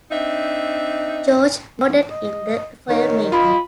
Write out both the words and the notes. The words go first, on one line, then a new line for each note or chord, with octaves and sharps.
George nodded in the affirmative.
C4 D4 D#4 E5
D#5
D#3 C#5
F4 D#5 B5